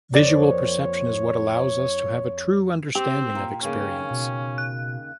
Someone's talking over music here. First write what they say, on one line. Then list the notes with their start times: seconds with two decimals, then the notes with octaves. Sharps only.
Visual perception is what allows us to have a true understanding of experience.
0.14 F2 A#3 C#5 D5
2.95 C4 G4 G5
3.35 A#2
3.63 D#2 C#3 A#3 C#4
4.11 B2
4.58 F#6